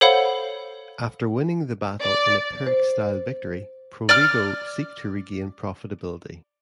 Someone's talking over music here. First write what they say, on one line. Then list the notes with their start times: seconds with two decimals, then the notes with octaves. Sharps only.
After winning the battle in a Pyrrhic style victory, Provigo seek to regain profitability.
0.01 A4 C5 C#5 F5 F#5 B5
2.02 D5
2.67 C5
4.09 D5 D6 F6